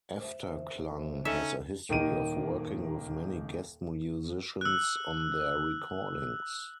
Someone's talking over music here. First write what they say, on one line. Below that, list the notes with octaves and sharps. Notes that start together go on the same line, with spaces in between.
Efterklang has a history of working with many guest musicians on their recordings.
C5 E5
C#4 D#4 A4 D#5 E5 G5
D#1 D#3 A#3 D#5 D7 D#7
E6 F#6